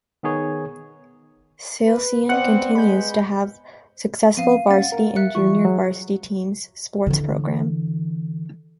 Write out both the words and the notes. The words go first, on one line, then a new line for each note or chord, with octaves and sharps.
Salesian continues to have successful varsity and junior varsity team sports program.
D#3 B3 D#4 G#4 C#5
B4
B3 C4 B4 D5 F#5
G#3 B5 G6
F3 B3 C4 F5 D#7
A#3 C#4 F#5 A6
A#4
E5 F#6 C#7
E3 F#3 F4 C#6
F#3 G#4
D3 E3